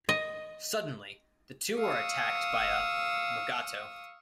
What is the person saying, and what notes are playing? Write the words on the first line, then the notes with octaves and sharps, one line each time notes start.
Suddenly, the two are attacked by a "mugato".
D#5
F5 C#6 D#6 E6